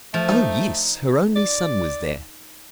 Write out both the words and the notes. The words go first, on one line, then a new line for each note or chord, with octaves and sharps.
Oh! yes: her only son was there.
F3 A3
D#4
D5